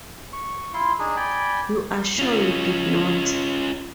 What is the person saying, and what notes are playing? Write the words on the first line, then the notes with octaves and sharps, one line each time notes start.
You are sure you did not?
C#6
E4 F4 C6
D4 D#4 G#4
D5 G5 G#5 B5
C#4 F4